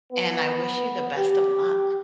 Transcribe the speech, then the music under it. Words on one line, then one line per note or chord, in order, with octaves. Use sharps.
and I wish you the best of luck.
B3
G4